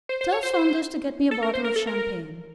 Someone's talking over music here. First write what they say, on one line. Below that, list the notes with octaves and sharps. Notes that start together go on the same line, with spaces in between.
Tell Saunders to get me a bottle of champagne.
C5
C5
C#5
C5
C5
A4
A#4
C5
A#4
A4
A#4